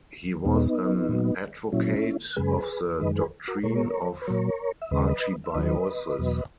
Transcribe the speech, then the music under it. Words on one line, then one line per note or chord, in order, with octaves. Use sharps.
He was an advocate of the doctrine of archebiosis.
E2 B2 G#3 B3 D#4
A#2 F#3
A#2 F#3 C#4 E4
F#2 C#3 G#3 G#4 B4
F#2 D#3 G#3 B4 D#5
G#4 B4
F#4 A#4
A#2 G#3 A#4 C#5
B4
A#2 F#3 A#4 C#5
E5
D#2 C#3 G#3 B4 D#5
E5
D#2 D#3 F#3 B4 D#5
E2 B2 F#3